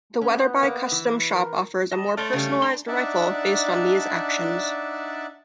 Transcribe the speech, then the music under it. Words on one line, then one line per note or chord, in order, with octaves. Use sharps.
The Weatherby Custom Shop offers a more personalized rifle based on these actions.
B3 C#4
A#3
E3
A#4
D#5 A5 D#6
A3 C#5 D5 C6 F6
C#3 G3 C#5
D4 G#5 A#5 C6
D4 D#4 D5 E5 F#5 A5